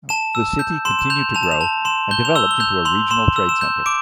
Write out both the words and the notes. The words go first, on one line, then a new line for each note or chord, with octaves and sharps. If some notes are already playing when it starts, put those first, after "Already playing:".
The city continued to grow and developed into a regional trade centre.
A5 E7
E6
G6
C6 E7
E7
G6 F7
A5 F7
E7
F7
A5
C6 E7
G6 G7
F7
E6 G7
G7
G6 F7
C6 F7
C6 E7
E6
E7
G6
D6 D7